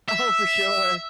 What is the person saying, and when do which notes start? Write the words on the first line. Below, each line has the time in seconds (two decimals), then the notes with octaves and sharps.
Oh, for sure.
0.09 E5